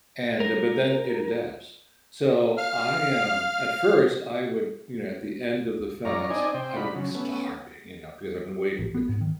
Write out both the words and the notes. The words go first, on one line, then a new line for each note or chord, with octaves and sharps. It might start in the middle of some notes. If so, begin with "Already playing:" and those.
and but then it adapts. So I, um at first, I would you know, at the end of the fast, I would be starving, you know, because I've been waiting for
A#4
F5 F6
F#2 F4 C#5 D5 A#5
C4 D4 D#4 D5 D#5 G#5
C3 C5 G5
D4 D#4 F4 F#4 B5
C#3 F#3
A3 B3 C#4
A1
B3
G#2
D#3